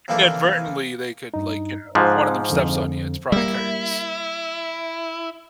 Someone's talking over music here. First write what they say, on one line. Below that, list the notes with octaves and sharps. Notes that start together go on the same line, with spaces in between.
Inadvertently, they could, like, you know if one of them steps on you, it's probably curtains.
C3 E3 F3 A#3 D4 A4
G2 D#4
G#2 F3 F#6 G#6
F2 D3
G3 A#3 E4